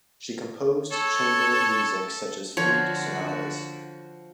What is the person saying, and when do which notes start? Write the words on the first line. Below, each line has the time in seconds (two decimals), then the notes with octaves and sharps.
She composed chamber music, such as flute sonatas.
0.91 A4 C#5
2.57 D3 F3 F#4 C#5